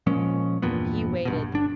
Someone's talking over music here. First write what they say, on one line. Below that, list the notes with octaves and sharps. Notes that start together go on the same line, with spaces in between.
He waited.
A#2 F3 G#3 C#4
E2 G2 A#2 B3
A#1 G2 B2
G1 D4